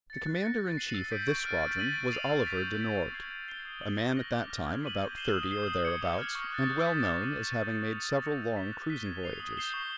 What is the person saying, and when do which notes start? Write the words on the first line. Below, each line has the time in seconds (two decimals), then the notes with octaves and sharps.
The commander-in-chief of this squadron was Oliver de Noort, a man at that time about thirty or thereabouts, and well known as having made several long cruising voyages.
0.10 A6 C#7
0.27 F#6
0.43 A#6 C#7
0.60 A6
0.77 C7 D#7 F#7
0.94 E6
1.11 G6 B6 D7
1.28 C#6
1.45 F6 A6 D7
1.62 G6
1.79 B6 D#7 F#7
1.96 A6
2.13 C7 F7
2.30 E6
2.47 G6 B6
2.64 C#6
2.81 E6 G#6 B6
2.97 C#6
3.14 F6 G#6 C7
3.31 G#6
3.48 C7 E7 G7
3.65 D#6
3.82 G#6 C#7 F#7
3.98 C#6
4.16 F#6 A#6
4.33 D6
4.50 F6 A#6
4.67 G#6
4.83 B6 D#7 F#7
5.00 G6
5.17 C7 E7 G7
5.34 D#6
5.51 G6 C7
5.68 D#6
5.85 G#6 C#7
6.01 D6
6.18 F6 G#6
6.35 C#6
6.52 F#6 A6
6.70 G6
6.86 B6 E7
7.03 D6
7.20 G6 C7 D#7 F#7
7.37 D6
7.54 G6 A#6
7.71 A6
7.88 C#7 F7
8.05 E6
8.21 G6 A#6 C#7
8.39 E6
8.56 G6 B6 E7 G7
8.72 F#6
8.90 B6 D#7 G7
9.06 G#6
9.23 C7 F7
9.40 D#6
9.57 G6 C7 E7 G7
9.74 C#6